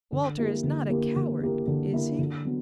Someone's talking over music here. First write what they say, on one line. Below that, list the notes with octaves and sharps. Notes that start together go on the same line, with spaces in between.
'Walter is not a coward, is he?'
D3
A#3 E4 G4 A#4
D3
A#3 E4 G4 A#4
D3
A#3 E4 G4 A#4
D3
A#3 E4 G4 A#4
D3
F#3 B3